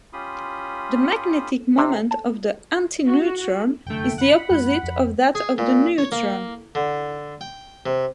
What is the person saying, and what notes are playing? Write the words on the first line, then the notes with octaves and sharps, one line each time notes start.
The magnetic moment of the antineutron is the opposite of that of the neutron.
C#4 F4 G4 B5 C6 D#6
C3
A5
F#4
F1 F#2 D3 A3 G5
F#5 B5
F#2 G#3 A#3
F2
G#4
A#2
C#5
A#3
D3
G5
C3